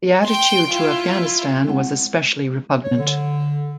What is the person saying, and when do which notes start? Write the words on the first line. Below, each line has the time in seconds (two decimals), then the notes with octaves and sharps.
The attitude to Afghanistan was especially repugnant.
0.25 G5 C6
0.70 E4 F4
1.67 G#3 C4 E4 F#5
2.84 C#5
2.98 D3